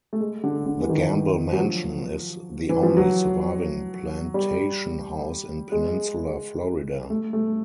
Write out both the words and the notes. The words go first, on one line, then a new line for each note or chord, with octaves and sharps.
The Gamble Mansion is the only surviving plantation house in peninsular Florida.
A3
G#3
D3
D3
E3
D#3
F#3
F3
E3
F3
F#3
G3
G#3
A3
A3